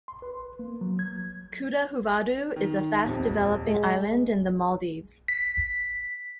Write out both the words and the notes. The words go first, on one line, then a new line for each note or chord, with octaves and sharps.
Kudahuvadhoo is a fast developing island in the Maldives.
C6
B4
A#3
F#3
G#6
D#3
D#1 F2
G#3
B6